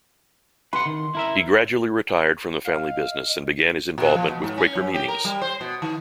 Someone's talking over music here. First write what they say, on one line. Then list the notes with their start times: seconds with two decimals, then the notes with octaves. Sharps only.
He gradually retired from the family business and began his involvement with Quaker meetings.
0.73 B4 F#5 C6
0.86 D#3
1.15 E4 A#4 E5
2.67 D#5 F5
3.98 A#2
4.14 F3
4.28 B2
4.44 G#2
4.58 C#4
4.75 F#2
4.94 G4
5.08 A#4
5.25 G3
5.41 C5
5.61 B2
5.82 D#3